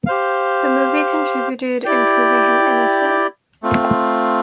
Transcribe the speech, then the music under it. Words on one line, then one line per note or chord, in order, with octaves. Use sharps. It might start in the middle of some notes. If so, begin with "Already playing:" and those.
The movie contributed in proving him innocent.
G4 C5 F5
E4 G4 D5 G5
A3 C4 F4